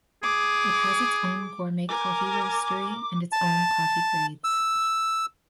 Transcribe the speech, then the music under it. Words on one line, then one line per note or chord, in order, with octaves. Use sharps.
It has its own gourmet coffee roastery and its own coffee grades.
G#4 D6
A#4 G#5 D6
A5
E6